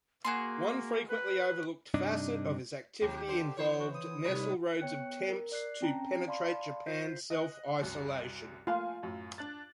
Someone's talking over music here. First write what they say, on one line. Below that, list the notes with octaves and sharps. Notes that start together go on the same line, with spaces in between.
One frequently overlooked facet of his activity involved Nesselrode's attempts to penetrate Japan's self-isolation.
A#3 F#4 G#4 C6
B4
G2 C3 D4 D#4
D#2 C3 G4
D3 C5
E3 B3 C5 C#5
F#4
D#6
A2 C3 G3 D#4 B4 C#5
B3 C#5 G5 F#6 C#7
A#4
D5 F#6 C7
C4 C#4 G5 A5 A#5
D5 F5 A5 B5 C6
F4 C5 G6 B6 C7
D#5 F#6
C2 F#2
A3 A#3 F4 F5 G#5
F#2 A2
D4 F#6 A6